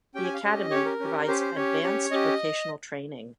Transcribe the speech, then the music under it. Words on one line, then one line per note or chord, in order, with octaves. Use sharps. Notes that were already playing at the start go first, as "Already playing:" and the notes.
The academy provides advanced vocational training.
C#4 G4 G5
G#5
F5
C#4 G4 D#5
C#4 G4 C#5
A#4
C#4 G4
C#4 G4 C5
C5
C#4 G4 C#5
C#4 G4
C#4 G4 D#5